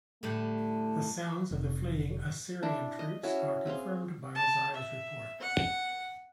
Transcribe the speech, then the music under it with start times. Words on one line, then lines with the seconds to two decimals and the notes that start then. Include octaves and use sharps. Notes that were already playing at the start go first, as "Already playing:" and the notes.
The sounds of the fleeing Assyrian troops are confirmed by Ozias' report.
0.23 A2 D3 G3 A3
1.51 F1
2.63 D4 E4
2.99 D#5
3.23 C#4 E4 F#4 C#5
3.66 C4 G#4 F5 C6
4.35 A5
4.74 E5
5.40 F#5